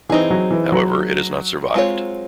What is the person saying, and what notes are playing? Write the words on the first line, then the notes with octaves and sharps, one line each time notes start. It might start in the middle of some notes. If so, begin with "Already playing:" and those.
However, it has not survived.
E3 C4 D#4 G#4
F#3
E3
F#3
G#3 C4 F4 A4 C#5